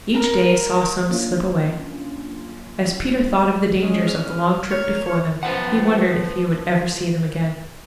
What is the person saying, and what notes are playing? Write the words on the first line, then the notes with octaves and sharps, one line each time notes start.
Each day saw some slip away. As Peter thought of the dangers of the long trip before them he wondered if he would ever see them again.
A#4
F#3 A#3 C#4 D4 F4
G#3 C#4
F6
A#4 C#5
C#5
F3 B4 C5 F#5